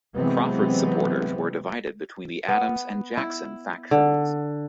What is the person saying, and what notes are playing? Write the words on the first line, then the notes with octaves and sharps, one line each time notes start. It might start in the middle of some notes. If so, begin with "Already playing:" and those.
Crawford's supporters were divided between the Adams and Jackson factions.
C3 E3 F#3 G#3 B3 C4
B3
E4
D3